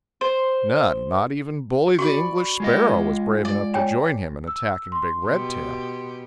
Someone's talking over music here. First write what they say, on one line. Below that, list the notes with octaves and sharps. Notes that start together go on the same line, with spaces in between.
But none, not even Bully the English Sparrow, was brave enough to join him in attacking big Redtail.
C5
F#4 D5 B5 C#6
G#3 F4 D#5
D5
C#5 G5 G#5
E6
C6
B2 G4